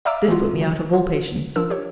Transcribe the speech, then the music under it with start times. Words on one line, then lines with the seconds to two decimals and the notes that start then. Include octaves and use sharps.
This put me out of all patience.
0.05 D5 E5 F5 A#5 D6 E6
0.28 E3 G#3 F4 F#4
0.57 D3 F#3
0.93 F4
1.56 F3 D4 A#4 E6
1.70 G4 C#5